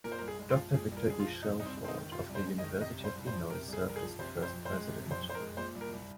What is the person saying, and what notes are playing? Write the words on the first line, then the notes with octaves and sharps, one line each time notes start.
Doctor Victor E. Shelford of the University of Illinois served as the first president.
A#2 A#4
C5
C2 A#4
G#4
G#3
F4
F3
A#2 G#4
C2
A#4
G#3 G#4
F4
F3
C3 D#4
C2 D#4
C4
G#3
C4
D#4
D#3
C3 F4
C2
C5
G#3
D#5
D#3
C3 D#5
C2
C5
C2
C5
F3
C3 A#4
C2
G#4
C2 A#4
G#4
F3
C3 C5
F2
C5
F2
C5
G#3
C3
F2
C5
F2
C5
A#4
G#3
A#2 C5
C2
A#4
C2